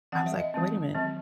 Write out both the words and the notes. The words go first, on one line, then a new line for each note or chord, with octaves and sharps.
I was like, "Wait a minute."
E3 C4 F#5
E5
D#5
E3 G#3 C4
D#3 F#3 C4